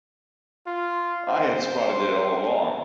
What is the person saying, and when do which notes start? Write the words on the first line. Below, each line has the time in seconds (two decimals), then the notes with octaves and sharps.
I had spotted it all along.
0.67 F4
1.28 C5